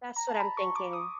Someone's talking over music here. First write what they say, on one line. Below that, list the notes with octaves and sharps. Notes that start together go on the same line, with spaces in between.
That's what I'm thinking.
A#5
A5
A#5
B5
C#6
D6
D#6